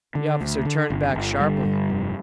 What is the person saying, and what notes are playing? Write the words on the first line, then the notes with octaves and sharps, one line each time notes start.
The officer turned back sharply.
D3
D2
D3
G1
G1
D3 G3
G2
F1